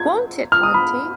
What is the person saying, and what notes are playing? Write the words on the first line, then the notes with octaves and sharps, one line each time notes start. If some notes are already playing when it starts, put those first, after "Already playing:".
Won't it, auntie?
Already playing: G#6
F6
D#6
B5